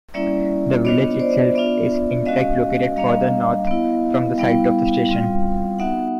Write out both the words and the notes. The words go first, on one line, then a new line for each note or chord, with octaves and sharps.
The village itself, is in-fact located further north from the site of the station.
G3 A#3 C#4 E4 D5 E5
B3 D4 F4 C#5 D#5
C5 D5
B3 D4 F4 D5 E5
G#3 C#4 F#4 D#5 F5
G3 A#3 D4 D#5 F5
B3 E4
G3 B3 E4 F5 G5
G3 C4 F4
B3 D#4 F#4 E5 F#5